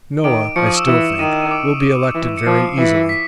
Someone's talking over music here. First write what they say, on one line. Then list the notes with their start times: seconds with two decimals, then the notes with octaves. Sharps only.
Noah, I still think, will be elected very easily.
0.24 D#3 D6 D7
0.56 F3 C#6 C#7
0.66 D#6 D#7
0.77 E6 E7
0.87 E3 E6 E7
1.12 E7
1.19 D#3 D#6 D#7
1.42 D#7
1.51 D6 D7
2.15 E3
2.37 C#7
2.46 F3 C7
2.78 E3
3.09 B6